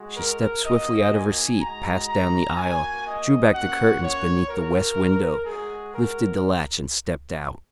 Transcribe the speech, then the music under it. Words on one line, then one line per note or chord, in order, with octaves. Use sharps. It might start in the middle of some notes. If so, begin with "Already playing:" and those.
She stepped swiftly out of her seat, passed down the aisle, drew back the curtains beneath the west window, lifted the latch and stepped out.
Already playing: G#3 F#4
A#4
A#3 D#4 F#4 D#5
G#5
G#3 D#4 F#4 A#5
A#5
A#3 F#4 G#5
D#5
A#3 C#4 F#4 F#5
C#5
A#3 F#4 A#4
G#3 F#4 G#4
A#4